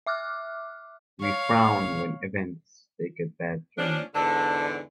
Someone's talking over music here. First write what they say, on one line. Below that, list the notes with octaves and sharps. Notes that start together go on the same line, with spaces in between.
We frown when events take a bad turn.
E5 D6 F6 F#6
C#5 F5
F3 C#4 D4
E2 G#2 D3 A5